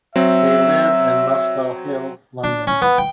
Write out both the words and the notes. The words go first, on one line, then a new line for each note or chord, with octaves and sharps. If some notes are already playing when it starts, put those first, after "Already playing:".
They live in Muswell Hill, London.
F#3 C4 E5
D4
C#4
B3
G5